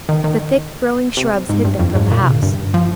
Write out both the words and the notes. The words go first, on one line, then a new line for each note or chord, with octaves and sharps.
The thick growing shrubs hid them from the house.
D#3
D#3
C3
G#2
G2
F2
G#2
A#2
C3
D3
G2
F3